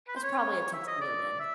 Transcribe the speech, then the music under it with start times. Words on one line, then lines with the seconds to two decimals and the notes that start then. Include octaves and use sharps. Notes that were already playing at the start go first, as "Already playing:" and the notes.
It's probably a tuxedo then.
0.08 B4
0.16 C5
0.23 C#5
0.73 E5
0.87 D#5
1.01 D5
1.40 E5